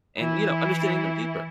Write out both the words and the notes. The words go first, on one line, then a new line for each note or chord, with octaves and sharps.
And, you know, understanding them deeper.
E3 E4